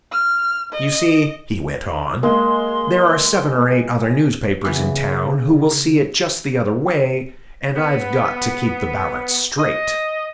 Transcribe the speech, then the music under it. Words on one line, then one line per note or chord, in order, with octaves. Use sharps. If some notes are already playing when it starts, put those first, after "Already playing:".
"You see," he went on, "there are seven or eight other newspapers in town who will see it just the other way and I've got to keep the balance straight."
F6
D#5
G#3 A#3 C6
C#3 E3 B3
B3
D#5